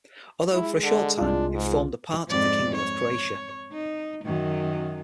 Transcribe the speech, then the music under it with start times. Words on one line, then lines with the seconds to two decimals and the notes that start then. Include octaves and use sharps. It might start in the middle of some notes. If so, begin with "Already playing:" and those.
Although, for a short time, it formed a part of the Kingdom of Croatia.
0.52 G#3 E4
0.83 D3
1.18 C2 D4 F4
1.54 G#2
2.28 F2 G#2 D5
2.75 C#5
3.72 D#4
4.24 F#2 D#3